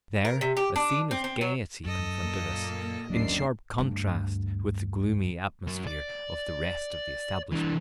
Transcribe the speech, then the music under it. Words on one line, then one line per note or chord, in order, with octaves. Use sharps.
There a scene of gayety confronted us, in sharp contrast with the gloomy atmosphere of the rest of the establishment.
A#4
C3
G4
D4
C4
C4
F#3
F#2 A4 D#5
A#2 A#3
G1 D#2 F#3 C#4 D4 C7
D2 G2
F#2
D5
E3 D4